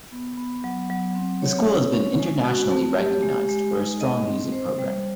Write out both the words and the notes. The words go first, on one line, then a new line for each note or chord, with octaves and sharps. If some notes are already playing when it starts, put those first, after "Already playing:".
The school has been internationally recognized for a strong Music program.
B3
B3
F#3
F#3
C4
C#5
C#4
C#4
G#3
F#4
A3
G4
G#3
G#3
D#4
D#5
C4
C5
G3